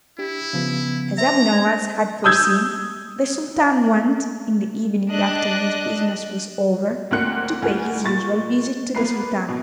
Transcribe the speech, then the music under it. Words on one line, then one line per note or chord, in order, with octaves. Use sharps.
As Abu Nowas had foreseen, the Sultan went, in the evening after his business was over, to pay his usual visit to the Sultana.
D4 E4 G4
C#3 F3 B3
C5 E5 A#5
D4 G#6
D#6 E6 G6 G#6
D4 D#5 F#6
D2 A#3 C4 F#6 C#7
D2 F4 G#4
A#2 C#6 A6
A#3 B3 B4 C7
B2